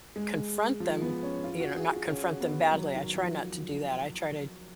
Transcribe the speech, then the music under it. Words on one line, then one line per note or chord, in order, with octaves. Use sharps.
confront them you know, not confront them badly, I try not to do that, I try to
G#3
F3
B3
C#4
F4
F#4
G#4
F4
C#4
B3
F#3
D#3
F3